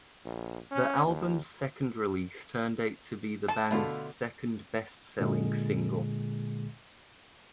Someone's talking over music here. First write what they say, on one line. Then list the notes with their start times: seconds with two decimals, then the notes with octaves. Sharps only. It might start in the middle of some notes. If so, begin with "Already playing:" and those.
The album's second release turned out to be the band's second best-selling single.
0.25 A#1
0.71 C#4
1.06 D#2
3.48 A4 A5
3.71 B2 D3 A3 E4 F4
5.20 A#2 D3 G#3 G#4